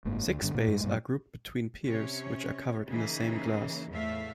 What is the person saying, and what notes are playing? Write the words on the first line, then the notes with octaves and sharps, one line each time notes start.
Six bays are grouped between piers which are covered in the same glass.
F#1 G#2 A#3
D2
G2 D3
A#2
G2 G#3
G2 A#2 F#3
C3 C#4 C#5
C#3 E3 A#3 D#4 G#4
E2 A2 A3 E5 F5